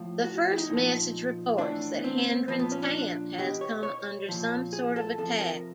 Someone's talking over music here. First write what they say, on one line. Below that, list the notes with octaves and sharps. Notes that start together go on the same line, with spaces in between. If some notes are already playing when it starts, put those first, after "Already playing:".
The first message reports that Hendron's camp has come under some sort of attack.
Already playing: A2 F3
F#4
F#4
E4
D#4
A#2 F3
A2 E3 D4
B3
C4
A#2 F3 B3
B3
C#4
D4
B2 G4
C#5
C#5
A#2 F3
G#4
A4
C3 F3 A4
A#4